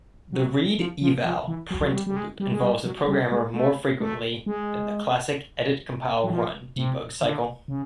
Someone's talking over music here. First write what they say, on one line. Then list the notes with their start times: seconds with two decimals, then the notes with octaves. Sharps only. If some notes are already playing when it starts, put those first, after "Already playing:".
The read-eval-print loop involves the programmer more frequently than the classic edit-compile-run-debug cycle.
0.33 F#3
0.78 F3
1.02 F3
1.25 F3
1.48 E3
1.71 F#3
1.82 F#3
1.93 G3
2.07 G3
2.16 G#3
2.40 G3
2.52 G#3
2.62 G3
2.85 F#3
3.08 G3
3.32 G#3
3.54 A3
4.00 A3
4.46 G#3
6.24 F#3
6.30 F3
6.76 C3
7.22 D3
7.68 C#3